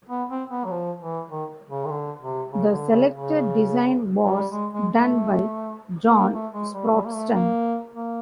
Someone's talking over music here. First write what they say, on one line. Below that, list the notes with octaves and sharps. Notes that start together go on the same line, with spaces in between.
The selected design was done by John Sproston.
B3
C4
B3
F#3
F3
E3
D#3
C#3
D#3
D3
C3
C#3
D3
C#3
C#3
F#3
G3
G#3
G#3
A3
B3
A#3
A3
G#3
G3
G3
A#3
A3
A#3
A#3